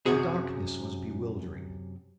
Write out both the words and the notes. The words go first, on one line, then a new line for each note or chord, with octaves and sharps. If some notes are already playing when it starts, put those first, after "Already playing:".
The darkness was bewildering.
F#2 C3 F#4 G#4